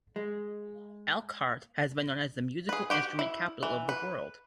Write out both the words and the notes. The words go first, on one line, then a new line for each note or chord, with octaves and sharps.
Elkhart has been known as "The Musical Instrument Capital of the World".
G#3
G#4 B4
F#4 G4 G5
E4
E3
B4